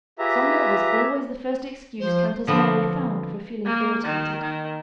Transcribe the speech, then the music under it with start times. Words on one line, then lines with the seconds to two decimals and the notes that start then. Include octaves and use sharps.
Sonya was always the first excuse Countess Mary found for feeling irritated.
0.19 F4 G4 G#4 B4 E5 A#5
2.00 F3 C5
2.47 D3 F3 B3 C4
3.66 A#3
4.04 D#3
4.42 D#3